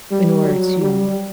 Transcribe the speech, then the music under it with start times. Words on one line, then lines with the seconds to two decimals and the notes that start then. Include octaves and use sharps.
in order to
0.11 G3
0.45 F#3
0.80 G3